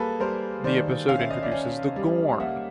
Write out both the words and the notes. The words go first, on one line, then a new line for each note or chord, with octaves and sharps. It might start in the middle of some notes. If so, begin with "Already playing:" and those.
The episode introduces the Gorn.
Already playing: G3 A#3 G#4 A4 B4
G3 A#4 C5
D#3 C5 D5
C#4 F5
E5
D#5
D5 E5
C#4
G3
A#3 E5 F#5